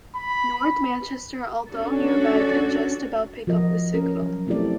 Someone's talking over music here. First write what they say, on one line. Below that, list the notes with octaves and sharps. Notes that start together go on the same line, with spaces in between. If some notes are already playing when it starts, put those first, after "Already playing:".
North Manchester, although nearby, can just about pick up the signal.
B5
C#4 D4 F#4 A4
F3 F#4 A#4 D#5
C#4 A#4
F#3
A3 C4 E4 G4 A4 D5